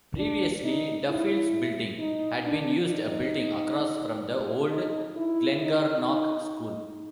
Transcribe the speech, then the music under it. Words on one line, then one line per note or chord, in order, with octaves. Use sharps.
Previously "Duffield's Building" had been used, a building across from the old Glengarnock School.
D4
D#4
E4
D#4
D4
D#4
D#4
E4
D#4
D#4
D#4